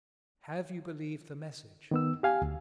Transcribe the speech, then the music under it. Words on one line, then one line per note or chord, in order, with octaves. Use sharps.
Have you believed the message?
D#3 B3 E6
G4 F5 G#5
D2